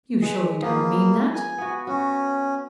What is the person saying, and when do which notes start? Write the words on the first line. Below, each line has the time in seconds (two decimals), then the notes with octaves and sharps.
"You surely don't mean that?"
0.22 G#3 B4
0.62 F3 A#3 B3
1.34 G#5
1.58 B3 F#4
1.87 C#4 F#4